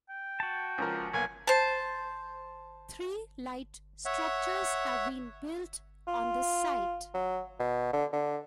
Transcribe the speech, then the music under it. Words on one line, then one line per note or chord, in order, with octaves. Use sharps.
Three light structures have been built on this site.
G5
F#4 A5
C#2 F3 A#4
B1 A#3 G#5
C5 A5
C#5 E5 F#5
F4
F#3
B2
D3
D3